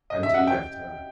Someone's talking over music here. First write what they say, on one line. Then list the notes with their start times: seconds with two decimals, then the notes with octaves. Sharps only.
And he left her.
0.10 D#5
0.23 E5
0.34 F#5
0.47 G5